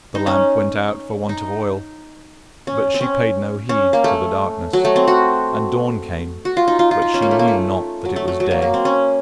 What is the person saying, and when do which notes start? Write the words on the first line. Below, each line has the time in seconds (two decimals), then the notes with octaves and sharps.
The lamp went out for want of oil, but she paid no heed to the darkness, and dawn came, but she knew not that it was day.
0.15 D#4
0.27 C#4
1.29 D#4
2.67 C#4
2.94 C4
3.01 C#4
3.69 C#4
3.93 A#3
4.04 A3
4.73 F#3
4.85 A3
4.96 C4
5.08 F#4
6.45 F#4
6.57 F4
6.68 D#4
6.79 F4
6.91 F4
7.02 D#4
7.14 C#4
7.22 A#3
7.31 A3
7.39 A#3
7.48 A3
8.05 F#3
8.16 A3
8.28 A3
8.40 F#3
8.51 A#3
8.62 A#3
8.74 C4
8.85 C#4